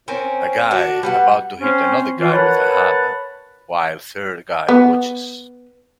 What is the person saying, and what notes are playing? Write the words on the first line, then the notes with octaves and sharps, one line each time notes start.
A guy about to hit another guy with a hammer, while third guy watches.
C4 C#4 A#4
D4 F#4
G3 B3 F#5
C4 C#4 C5
E3 F4
A#4 B4 C#5 F#5 A5 B5
B3